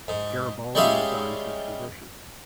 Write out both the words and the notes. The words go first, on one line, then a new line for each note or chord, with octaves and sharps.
Garibaldi resigns his position.
G#2
G3 G#3 C#4 G#4 E5 F5